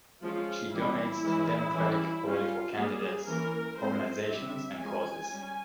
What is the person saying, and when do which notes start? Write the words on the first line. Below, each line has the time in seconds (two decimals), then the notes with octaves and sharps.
She donates to Democratic political candidates, organizations, and causes.
0.22 F3 G#3 C#4 F4
0.72 E3 G3 C#4 E4
1.23 E3 G#3 C#4
1.74 E3 G3 C#4
2.25 G3 C#4 F4
2.76 G3 A#3 C#4 G#4
3.27 E3 A#3 C#4 A#4
3.78 F3 G#3 C4 C5
4.30 G3 C4 E5
4.79 F3 G#3 C#4 G#5
5.31 G3 C#4